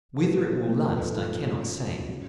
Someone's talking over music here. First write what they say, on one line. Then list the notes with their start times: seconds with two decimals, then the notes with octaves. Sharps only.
"Whether it will last I cannot say."
0.22 A#2 F3 A4 B4
0.53 A#4 C5
0.84 A#2 F3 A4 B4
1.15 D#4 F4
1.47 C#3 F#3
2.09 C#3 F#3